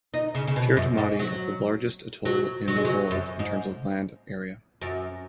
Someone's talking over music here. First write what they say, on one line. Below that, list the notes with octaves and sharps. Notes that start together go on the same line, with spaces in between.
Kiritimati is the largest atoll in the world in terms of land area.
D#4
C#3
C#3
B2
F#2
G#2
F#3
F#3
F#3
G#3
F#3
F#2
G#2
F#2